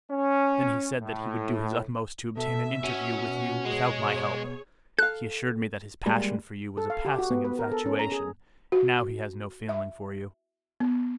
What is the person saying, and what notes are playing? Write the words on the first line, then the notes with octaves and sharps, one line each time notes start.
Then he said that he would do his utmost to obtain an interview with you without my help. He assured me that his passion for you was a passing infatuation, now he has no feeling for you.
C#4
A2
B2 A4 E5
C#4 F#4
G#3 G#4 C#5
A4 F5 F#6
G3 G#3 A#3
A4
F5
G4
F#4
B3
B4
A#4
A4
C#4
A#5
G#4
F#4
E5
B3